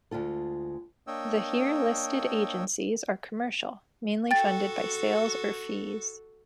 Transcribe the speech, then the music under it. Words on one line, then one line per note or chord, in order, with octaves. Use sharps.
The here listed agencies are commercial, mainly funded by sales or fees.
D2 G#3 F4 A4
A#3 D4 C#5 D#5 G5 E6
F#4 A4 G5 A6